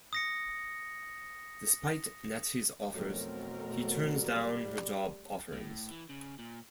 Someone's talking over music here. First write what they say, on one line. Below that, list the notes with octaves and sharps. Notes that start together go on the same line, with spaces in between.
Despite Natty's offers, he turns down her job offerings.
D#6 A#6 C#7
F2 B2 E3 F#3 A3 C4 A#4
G3
A2
E3
C#3
A#2